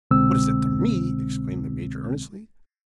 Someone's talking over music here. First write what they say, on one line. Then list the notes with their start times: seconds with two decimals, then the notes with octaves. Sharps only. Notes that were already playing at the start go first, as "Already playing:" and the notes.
"What is that to me!" exclaimed the Major, earnestly.
0.11 C2 B2 D3 G#3 C4 E6